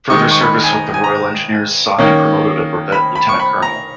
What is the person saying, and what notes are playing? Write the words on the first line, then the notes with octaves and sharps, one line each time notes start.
Further service with the Royal Engineers saw him promoted a brevet Lieutenant-colonel.
D#3 G#3 D#4 C#6
C#6
B5
G#5
A#5
G#5
A#5
D#3 A#3 C#4
B5
B5
C#6
B5
A#5